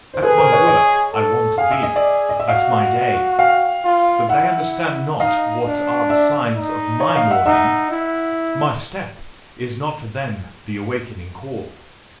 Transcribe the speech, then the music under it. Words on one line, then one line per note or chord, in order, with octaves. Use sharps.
At my work I want to be, at my day: but they understand not what are the signs of my morning, my step--is not for them the awakening-call.
C5
G#4 A4 B4
A#4 C5
B4 C#5
C#5 D#5
A4
G#4 F5
E5
D#5
D5 E5
D#5
E5
F#4 D#5 F5
F5 G5
F4
E4 E5 F#5
D#4 D#5 F5
D4
D5 E5
D#4
C#5 D#5
D#5 F5
E5 F#5
D#4 E5 F#5
E4